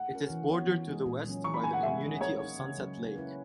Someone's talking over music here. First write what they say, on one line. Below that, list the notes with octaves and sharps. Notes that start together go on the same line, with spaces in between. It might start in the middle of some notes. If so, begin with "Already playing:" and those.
It is bordered to the west by the community of Sunset Lake.
Already playing: F#5
C#4 F#4 A#4
E3
B3 F#4 C#5
E3
G#3 D#4 G#4
A#2
F#3 C#4
E3 C#6
B5
A#3 D#4 G#5
F#5
G#3 E5
C#4 G#4
A#3 C#5
D#4 G#4
C#3
F#3 C#4
A#3
C#4 E4 B4